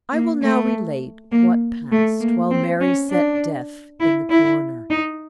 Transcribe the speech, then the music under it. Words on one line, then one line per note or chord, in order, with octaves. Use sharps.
I will now relate what passed while Mary sat deaf in the corner.
A#3
A3
A#3
A3
A#3
C4
C#4
D4
E4
E4
D#4